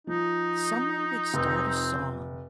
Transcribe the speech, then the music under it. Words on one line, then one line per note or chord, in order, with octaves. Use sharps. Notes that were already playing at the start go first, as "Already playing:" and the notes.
someone would start a song.
F3 D#4
F1 C4